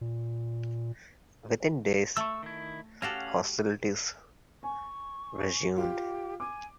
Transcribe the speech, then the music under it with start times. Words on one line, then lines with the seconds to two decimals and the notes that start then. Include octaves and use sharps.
Within days, hostilities resumed.
0.01 A#2
2.17 A3 C#6 E6
2.43 D#3 E4
3.02 C#4 F#4 G4 A4 F5 F#5
4.63 G#5 C#6
5.77 F4 G4
6.40 G#5 D6